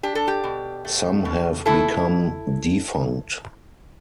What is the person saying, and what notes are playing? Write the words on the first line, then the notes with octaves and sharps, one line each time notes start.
Some have become defunct.
D4 G4
A4
G4
B2
A3
B2
B2 E4 A4